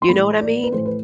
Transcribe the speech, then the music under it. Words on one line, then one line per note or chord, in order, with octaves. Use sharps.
You know what I mean?
C6
A2 E3 B5
D5
B4
A2 E3 C5
B4